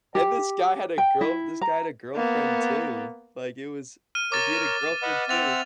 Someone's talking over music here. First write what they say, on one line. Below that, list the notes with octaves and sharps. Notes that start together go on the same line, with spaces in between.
And this guy had a girl this guy had a girlfriend too. Like, it was like, he had a girlfriend too.
G4
G5
E4
A#5
A#3 B3
F6 D#7
A#4 C#5 D6 A6
B4 D#5 F#5
C4 E5 F#5 A6 F7